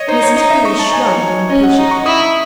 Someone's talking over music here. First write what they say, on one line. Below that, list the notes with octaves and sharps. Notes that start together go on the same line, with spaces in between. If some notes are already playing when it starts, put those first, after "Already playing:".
Miss Terry shrugged impatiently.
Already playing: C#5 D#5
D#4 C5
C#5
D#4 D#5
E5
D#4 C#6
A5
G#5
C#5
C#4 D#5
F#5
D#4
C#6
E4 D#6
D#6